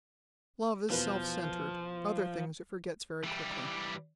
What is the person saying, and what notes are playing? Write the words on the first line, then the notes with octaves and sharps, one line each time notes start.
Love is self-centred; other things it forgets very quickly.
E2 B2 F3 B4
E3 G3